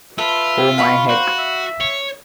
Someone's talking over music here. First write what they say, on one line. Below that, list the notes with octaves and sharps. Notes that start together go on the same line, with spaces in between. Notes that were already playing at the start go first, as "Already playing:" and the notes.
Oh my Heck!
F4 A4 B4 E5
F5 B5 C#6
F#4 C5
E5
C#5